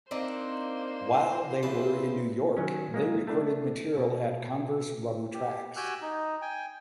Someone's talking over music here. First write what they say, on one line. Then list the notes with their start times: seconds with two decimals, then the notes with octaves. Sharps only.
While they were in New York they recorded material at Converse Rubber Tracks.
0.11 A#3 C4 D4 D#4 C5
1.63 E2 C#3 B4 A5
2.57 D#3 F#3 C#4
2.94 F#3 G#3 A#3
3.27 A3 D4
3.97 B2
5.33 G4
5.76 F#4 G4 G5 G#5 E6 F#6
6.02 D#4
6.42 G5 G#5